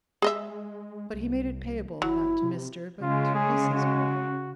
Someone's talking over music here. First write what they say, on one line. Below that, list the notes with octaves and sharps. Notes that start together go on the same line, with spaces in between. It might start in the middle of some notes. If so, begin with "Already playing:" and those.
But he made it payable, not to Mr. but to Mrs. Carroll.
G#3 G#4 D#5 E5
C2
F#1 F#3 E4
C3
C#3 G#3 F4
G#4
F#4